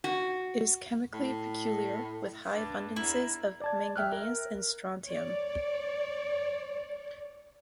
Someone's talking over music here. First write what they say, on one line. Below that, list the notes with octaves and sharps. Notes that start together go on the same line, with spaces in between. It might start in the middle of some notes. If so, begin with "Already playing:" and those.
It is chemically peculiar, with high abundances of manganese and strontium.
F#4
A2
G2 D4
E2 E4 A#4
D5 A5 G#6
E5 G5 F6 F#6
A#4
C#5 D5